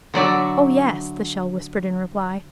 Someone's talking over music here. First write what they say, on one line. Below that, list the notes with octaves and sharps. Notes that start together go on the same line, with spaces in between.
"Oh, yes!" the shell whispered in reply.
D3 F#3 D5 E5